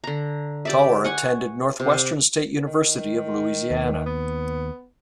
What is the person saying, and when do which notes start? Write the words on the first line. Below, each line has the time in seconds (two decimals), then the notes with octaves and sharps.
Tolar attended Northwestern State University of Louisiana.
0.04 D3 A#5
0.65 G4 D5 E5
1.04 F#5 G#5 C#6
1.80 C3
2.67 D#3
3.70 D#2
4.06 B3